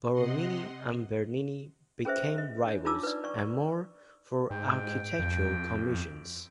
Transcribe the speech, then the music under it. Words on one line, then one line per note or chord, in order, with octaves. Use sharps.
Borromini and Bernini became rivals, and more, for architectural commissions.
C3 D#5 F#5 C6
C#4 G#4 B4 C5 E5
D#5
D4 C#5
D4 D#4 F4 A5 D6 E6
B4 D5
D5 C#6
G#2 G5
F2